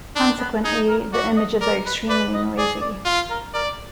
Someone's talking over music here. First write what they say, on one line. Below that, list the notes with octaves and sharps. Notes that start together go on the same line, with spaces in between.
Consequently, the images are extremely noisy.
D4 D#4
B3
D#4 G#4
A#4
F#4 D5
D#5
A#4 D5
B4
B4 D5
D#5
G#4 D5
D5
F4
A#4
A#4 D5